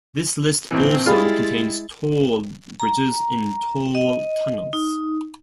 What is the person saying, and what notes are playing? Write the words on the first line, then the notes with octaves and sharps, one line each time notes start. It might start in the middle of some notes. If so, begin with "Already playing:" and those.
This list also contains toll bridges and toll tunnels.
A1 A#2 E3 C4
G3 G#3 E4 F4 G#4 B5 A6
A#5
D#5
D#4